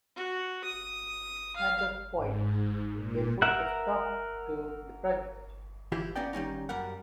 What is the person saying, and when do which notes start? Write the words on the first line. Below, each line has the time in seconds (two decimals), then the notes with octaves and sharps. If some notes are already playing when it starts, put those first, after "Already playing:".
At that point, they put a stop to the project.
0.16 F#4
0.64 D#6
1.56 F5
2.15 G#2
2.92 A#2
3.42 A#4 E5 F#5
5.92 E3 E4 F4 G4
6.16 A#3 B3 C#4 D5 D#5 G5
6.33 D#3 G3 C#4 D#4
6.69 F#2 G3 A#4 F#5